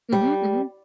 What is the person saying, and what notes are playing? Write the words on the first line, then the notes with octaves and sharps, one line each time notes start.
Mhm, mhm.
G3